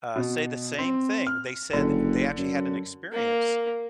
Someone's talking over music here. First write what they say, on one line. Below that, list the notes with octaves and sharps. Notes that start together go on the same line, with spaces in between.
uh, say the same thing, they said they actually had an experience
B2
C4
F6
F#1 D3
F#2
A#3